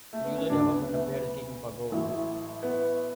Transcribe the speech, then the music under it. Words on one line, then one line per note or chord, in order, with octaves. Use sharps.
It usually occurs when a player is kicking for goal.
A3
B3
C#4
D2 C#3 F#3 D4
B3
A3
B3
A1 A2 F#3
B3